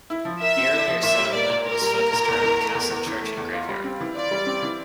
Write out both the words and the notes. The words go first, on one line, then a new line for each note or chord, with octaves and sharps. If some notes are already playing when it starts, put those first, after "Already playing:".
The earlier settlement was focused around the castle, church and graveyard.
E4
F3
A#4 E5
C4
E4
F3
A#2 E5
G3
A#3 D5
A#2
A#2 A#4
G3
A#3
A#2
E2
E3
A3
E2
E2
E3
A3
E2
F4
G3
C4
E3
F4 D5
G3
C4
E3